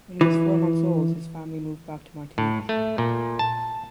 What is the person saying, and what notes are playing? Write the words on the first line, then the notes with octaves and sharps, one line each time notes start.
When he was four months old his family moved back to Martinique.
E3
A2
A3
A#2
A5